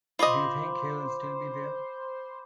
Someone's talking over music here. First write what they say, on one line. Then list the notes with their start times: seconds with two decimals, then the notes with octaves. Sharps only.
Do you think he will still be there?
0.19 F4 C5 D#5 B5 C6 D6